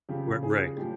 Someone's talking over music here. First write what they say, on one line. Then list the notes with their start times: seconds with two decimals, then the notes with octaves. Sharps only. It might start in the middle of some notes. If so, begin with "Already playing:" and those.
R right.
0.09 C#3 F3 G4
0.43 G#4
0.77 A2 F3 G4